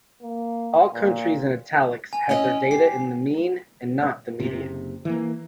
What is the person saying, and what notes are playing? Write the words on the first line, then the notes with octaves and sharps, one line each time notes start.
All countries in italics have their data in the mean and not the median.
A#3
A#2
G#5
C#4 E4 D#5
G4 C7
F#1 C3
E3 A#3